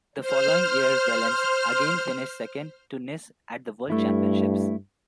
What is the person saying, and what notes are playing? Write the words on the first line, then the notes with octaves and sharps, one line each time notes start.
The following year Wellens again finished second to Nys at the World Championships.
C5 F6
G2 A3 E4